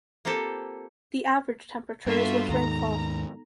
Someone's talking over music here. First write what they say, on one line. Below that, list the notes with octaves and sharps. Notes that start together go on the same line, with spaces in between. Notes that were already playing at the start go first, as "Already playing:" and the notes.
The average temperature is with rainfall.
A#3 C4 F4 G4 A4
G2 B3 F4 F#4 A4 E5
D#2 G#2 D#3 D#4 A#5